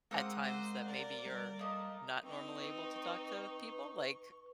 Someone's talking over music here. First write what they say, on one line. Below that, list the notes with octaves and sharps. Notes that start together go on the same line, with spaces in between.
at times that maybe you're not normally able to talk to people? Like
G#3 A#3 C4 F#5 D#6
C5 D#5
A#4 D5
G3
A3 A#3 D#5
C4 D#4 B4 C#6